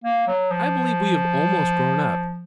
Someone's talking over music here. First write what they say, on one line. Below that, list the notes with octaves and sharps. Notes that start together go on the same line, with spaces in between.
I believe we have almost grown up.
A#3
F#3
F3